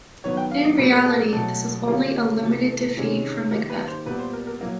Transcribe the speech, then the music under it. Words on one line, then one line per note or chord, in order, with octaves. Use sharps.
In reality this was only a limited defeat for Macbeth.
D#3 F#3 B3 C#5
G5
F5
D#5
A#2 G3 C4 B4
A#4
A4
A#4
B2 F#3 A3 A4
D3 G3 A#3 C#4 F4
C3 E3 A3
C3 D#3 G#3 C#4
D#3 G3 A#3 D#4 A#4
B4
C5
A#2 G3 B3 B4
C5
A#4
A#4
F#3 A#3